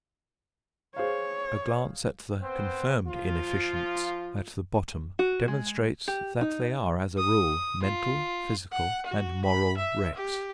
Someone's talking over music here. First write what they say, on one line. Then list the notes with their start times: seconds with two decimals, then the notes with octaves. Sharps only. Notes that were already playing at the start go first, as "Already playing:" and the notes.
A glance at the confirmed inefficients at the bottom demonstrates that they are, as a rule, mental, physical, and moral wrecks.
0.96 G#4 C5 C#5 F5
2.42 B3 C4 C5
3.07 F3 F4
5.19 F#4
5.48 G#3
6.08 G4
6.41 D#4
7.18 D#6
7.82 F4
8.72 F#5
9.06 F#4
9.45 B5
9.77 E5
10.15 G4